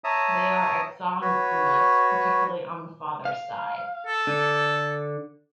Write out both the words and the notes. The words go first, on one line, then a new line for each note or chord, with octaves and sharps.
They are exogamous, particularly on the father's side.
C#5 E5 A5 A#5 D#6
F#4 B4 C#5
F5
A4
D3